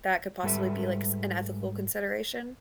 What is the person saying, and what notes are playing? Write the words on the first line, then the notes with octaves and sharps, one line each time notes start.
that could possibly be, like, s an ethical consideration.
G#2 G3 A4 B4 E5